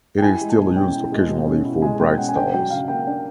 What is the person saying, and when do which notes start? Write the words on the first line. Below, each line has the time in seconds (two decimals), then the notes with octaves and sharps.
It is still used occasionally for bright stars.
0.18 G5
0.22 E4 G#5
0.41 G#3
0.50 A5
0.59 B2
0.76 C#4 G5
0.94 E4
1.12 G#3
1.29 B2
1.47 C#4
1.65 E4
1.82 G#3 G#5
2.00 B2 G5
2.18 C#4 F#5
2.29 G#5
2.36 D4 G5
2.54 F#3 G5
2.70 C#3 F5
2.88 A#3 G5
3.07 D4